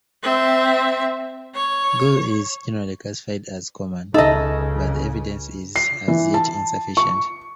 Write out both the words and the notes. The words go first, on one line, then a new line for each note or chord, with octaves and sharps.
Gule is generally classified as Koman, but the evidence is as yet insufficient.
C4 E5
C#5
C#2 C#3 D#4 A4 D#5 E5
C7
E3
A5
C#6